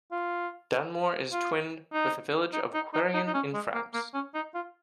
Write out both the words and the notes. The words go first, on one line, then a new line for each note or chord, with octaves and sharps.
Dunmore is twinned with the village of Querrien in France.
F4
F4
D#4
D#4
D#4
D#4
D#4
D#4
C#4
G#3
A#3
A#3
C#4
D#4
F4